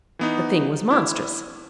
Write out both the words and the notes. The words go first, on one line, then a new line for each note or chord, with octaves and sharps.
The thing was monstrous.
E3 B3 D#4
E4